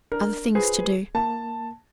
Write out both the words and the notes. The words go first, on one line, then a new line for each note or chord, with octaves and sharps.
'Other things to do.'
D4 A#4
F4 G#4 B4 C5
A#3 A5